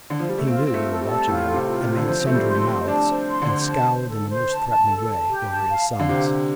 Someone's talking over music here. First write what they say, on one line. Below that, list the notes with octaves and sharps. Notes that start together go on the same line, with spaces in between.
He knew we were watching him, and made sundry mouths and scowled in the most threatening way over his sums.
D3
F3
G3
A3
C4 F4
C4 F4
A3
A4
G3
A4
A2 F4
A4
C3
F4
C3
A4
D3
F3 C5
C4
A3 C5
G3
C6
A3
C4
C5
D4 A5
C5
C6
D3
C5
A5
C5
A4
C5
A5
A5
A4
A5
G4
A5
F5
F5
D3
C3 G4
G4